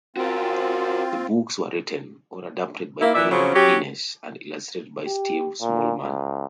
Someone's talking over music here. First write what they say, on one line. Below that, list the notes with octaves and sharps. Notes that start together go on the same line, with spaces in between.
The books were written or adapted by Neil Innes and illustrated by Steve Smallman.
C4 F4 F#4 A#4
A#3 E4
A#2 E3 D5 E5
C#3 F3 F#3 C4 C#4
F#3 C#4 G4
G4
A#2
C#2